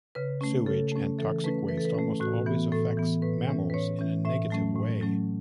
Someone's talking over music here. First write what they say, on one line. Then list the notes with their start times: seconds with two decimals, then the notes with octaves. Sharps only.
Sewage and toxic waste almost always affects mammals in a negative way.
0.15 C#3 B4
0.41 A3 C#4
0.66 C#3 A4
0.92 A3 C#4
1.18 E3 A4
1.44 A3 C#4 B4
1.69 E3 B4
1.77 A4
1.85 B4
1.95 A3 C#4
2.20 A2 F#4
2.46 E3 B3
2.72 A2 A4
2.97 E3 B3
3.22 A2 B4
3.48 E3 C#4
3.70 B4
3.74 A2 C#5
3.99 E3 C#4
4.25 A2 E5
4.50 F#3 A3 C#4
4.76 A2
5.01 F#3 A3 C#4